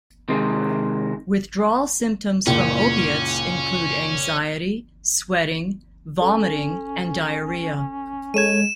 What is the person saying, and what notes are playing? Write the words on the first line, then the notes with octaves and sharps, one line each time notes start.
Withdrawal symptoms from opiates include anxiety, sweating, vomiting, and diarrhea.
C3 D#3 G#3
F#1 C#2 A#2 C#4
C#4 A4
G#3 A4 C#5 G#6 D#7 E7